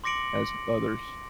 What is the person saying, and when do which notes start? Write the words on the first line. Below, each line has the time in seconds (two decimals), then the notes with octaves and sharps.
as others,
0.04 C6 D6 A#6 C#7 D7 F#7